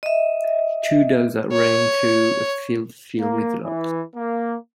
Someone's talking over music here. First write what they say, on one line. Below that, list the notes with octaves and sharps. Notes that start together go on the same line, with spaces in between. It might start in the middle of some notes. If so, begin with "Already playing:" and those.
Two dogs are running through a field filled with logs.
D#5 E5
C#5
A#3
E3
A#3